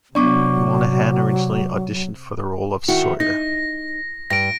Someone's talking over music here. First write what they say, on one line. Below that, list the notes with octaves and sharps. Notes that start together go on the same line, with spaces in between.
Monaghan originally auditioned for the role of Sawyer.
C3 F#3 B3 D4 D5 C#6 D6
D#3 E4 F#4
D#4 A#6
G2 A#6 D7